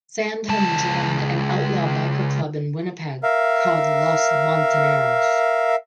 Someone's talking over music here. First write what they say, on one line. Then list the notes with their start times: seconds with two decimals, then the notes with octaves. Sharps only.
Sandham joined an outlaw biker club in Winnipeg called los Montoneros.
0.49 C#2 A5
3.23 A#4 E5 F5